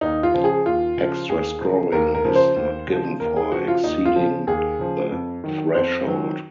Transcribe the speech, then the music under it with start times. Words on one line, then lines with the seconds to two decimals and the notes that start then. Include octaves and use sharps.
Extra scoring is not given for exceeding the threshold.
0.01 D#2 D#4
0.23 F4
0.34 C#3 F3
0.44 G#4
0.66 D#2 F4
0.97 C#3 F3
1.29 D#2 G#4
1.62 C#3 F3
1.92 D#2 A#4
2.15 A#4
2.25 C#3 F3
2.35 C5
2.56 D#2
2.88 C#3 F3
3.20 D#2 A#4
3.36 G#4
3.52 C#3 F3 F#4
3.68 F4
3.84 D#2 D#4
4.05 F4
4.16 C#3 F3
4.47 D#2 G#4
4.79 C#3 F3
5.11 F2
5.44 D#3 F#3
5.74 F2 C5
6.06 D#3 F#3